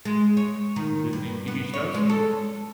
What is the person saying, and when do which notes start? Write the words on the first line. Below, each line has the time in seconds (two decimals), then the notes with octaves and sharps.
From the Disney TV shows?
0.05 G#3
0.37 C#5
0.76 D#3
1.13 G2
1.48 B3
1.73 C#5
1.94 G#3
2.09 A4